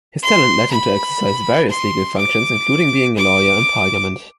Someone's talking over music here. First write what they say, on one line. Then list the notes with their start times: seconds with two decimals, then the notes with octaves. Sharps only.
His talent led him to exercise various legal functions, including being a lawyer in Parliament.
0.22 C6
0.71 B5
1.69 C6
2.18 D6
3.17 D6